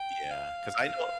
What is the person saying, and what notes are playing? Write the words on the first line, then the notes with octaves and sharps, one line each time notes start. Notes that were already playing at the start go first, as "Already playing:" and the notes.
Yeah, 'cause I know
Already playing: G5
F5